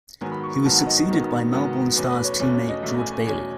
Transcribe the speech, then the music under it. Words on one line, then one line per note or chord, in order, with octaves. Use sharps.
He was succeeded by Melbourne Stars teammate George Bailey.
G#2 D#3 F#3 B3 G#5
B5
C#6
C#6
G#2 D#3 F#3 B3 A5
F#5
D#5
D#5
G#2 D#3 F#3 B3
G#2 D#3 F#3 B3
E2 B2 A3 C#4 B4
B4
C#5
E2 B2 A3 C#4 B4
C#5
D#5
E2 B2 A3 C#4 E5
G#5
G#5
E2 B2 A3 C#4 G#5